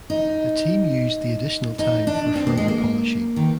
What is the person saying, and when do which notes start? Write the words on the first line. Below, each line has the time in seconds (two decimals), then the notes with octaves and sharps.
The team used the additional time for further polishing.
0.10 D#4
1.79 D#4
2.07 D4
2.36 C4
2.47 A#3
2.58 G#3
2.68 A#3
3.36 D#3